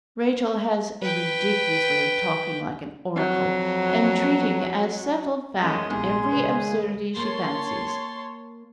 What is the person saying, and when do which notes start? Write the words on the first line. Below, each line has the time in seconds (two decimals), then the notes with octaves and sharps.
Rachel has a ridiculous way of talking like an oracle, and treating as settled fact every absurdity she fancies.
1.02 B4 G5
3.16 F2 F#3
5.61 F#2 G#3 A3 C#4 C6
5.90 A#1 E2 G#2 C3 G#4
6.32 D#2 C#3 G#3 B4
7.17 A#3 C#5 A5 C6